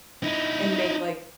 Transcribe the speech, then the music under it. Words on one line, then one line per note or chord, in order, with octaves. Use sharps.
and make, like,
D#4 E4